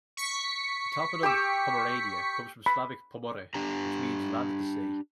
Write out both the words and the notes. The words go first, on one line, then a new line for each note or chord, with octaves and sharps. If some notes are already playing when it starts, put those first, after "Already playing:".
The toponym Pomerania comes from Slavic po more, which means Land at the Sea.
C#6 B6 C#7
G4 D6 E6
B5
D4 G4 A#5